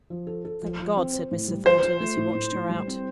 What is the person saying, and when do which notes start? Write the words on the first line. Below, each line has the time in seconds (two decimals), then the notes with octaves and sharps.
'Thank God!' said Mr. Thornton, as he watched her out.
0.10 F3
0.27 A4
0.45 A4
0.63 F3
0.80 F3
0.97 C4
1.13 C5
1.31 A2
1.48 G3
1.65 F4 C5
1.83 F4
2.00 A3
2.17 A2
2.35 A2
2.53 A2
2.69 G3
2.87 C4